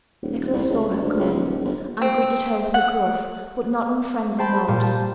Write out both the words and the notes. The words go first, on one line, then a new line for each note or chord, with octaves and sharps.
Nicholas saw her come in, and greeted her with a gruff, but not unfriendly nod.
D#1
C2
C#2
F#2
D2
C#2
D#1
G1
C4
F#5
C5 G5 A5 B5
A#2 G3 F4
A5